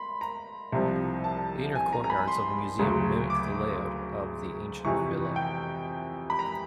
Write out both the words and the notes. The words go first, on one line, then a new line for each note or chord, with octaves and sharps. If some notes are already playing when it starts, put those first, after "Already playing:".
The inner courtyards of the museum mimic the layout of the ancient villa.
Already playing: B5 C6
A#5
C2 C3 F3
A5
G#5
A#5
A#5
B5
C6
D2 C#3 F#3
D6
F2 C3 E3 C#6
G5
B5
A#5